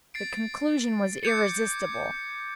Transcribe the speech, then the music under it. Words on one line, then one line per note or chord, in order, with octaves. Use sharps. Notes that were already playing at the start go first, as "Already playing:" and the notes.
The conclusion was irresistible.
A6 C7 D7
D6 G6 G#6 C#7